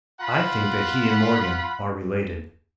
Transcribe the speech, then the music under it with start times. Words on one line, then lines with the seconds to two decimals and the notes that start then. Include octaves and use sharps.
I think that he and Morgan are related.
0.21 F4 F#5 B5